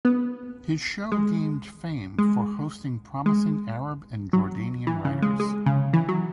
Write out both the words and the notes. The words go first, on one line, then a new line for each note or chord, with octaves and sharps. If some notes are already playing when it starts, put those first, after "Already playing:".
His show gained fame for hosting promising Arab and Jordanian writers.
B3
G#3
G#3
G#3
F#3
E3
C#3
G#3
G#3
C#3
E3
F#3